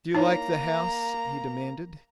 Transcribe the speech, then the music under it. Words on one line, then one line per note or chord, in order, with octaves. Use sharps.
"Do you like the house?" he demanded.
A#3 D#4 E4 C#5 A#5